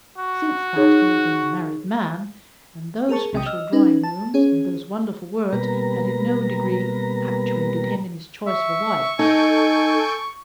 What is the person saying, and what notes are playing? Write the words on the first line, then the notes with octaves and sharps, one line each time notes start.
Since that he had been a married man, and those special drawing-rooms and those wonderful words had in no degree actuated him in his choice of a wife.
F#4
D#4 G#4 C#5
G#4 A#4 A5 C#6
B1 C3 G5 D#6
D#5 E6 F6
C#4 D#4 B4
A5
C#4 G#4 C#5
B2 G3 A#3 B4 A#5
E5 C#6
D#4 A4 G#5 G6 D7